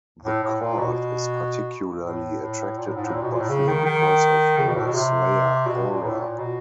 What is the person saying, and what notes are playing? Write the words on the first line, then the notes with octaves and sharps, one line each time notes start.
The korred is particularly attracted to Buffy because of her Slayer aura.
A2
A2
A#2
B2
A2
A2
A#2
A2
G#2
A2
A#2
B2
A#2
A2
C#3
D#3
D#3
C#3
B2
A2
B2
C3
B2
A#2
A2
A#2
B2